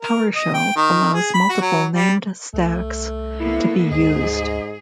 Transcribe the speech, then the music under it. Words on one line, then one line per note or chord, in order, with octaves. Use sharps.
PowerShell allows multiple named stacks to be used.
A#4
D#5
G5
D#3
G#4
B5
F#4
F#3
G3
C2 A3
D3 A#3 B3 E4
D2 G#2 G#4 D#5